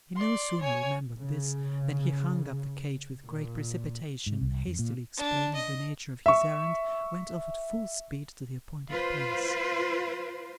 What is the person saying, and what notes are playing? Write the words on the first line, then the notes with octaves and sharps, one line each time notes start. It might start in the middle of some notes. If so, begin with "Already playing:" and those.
He no sooner remembered this, than he hung up the cage with great precipitation, and hastily explaining the nature of his errand, went off at full speed to the appointed place.
D5 C6
C#5 G#5
C#3
A#2
G#2
C2
F2
A#2
D4
D#5
E5 C#6
F4 B4 C5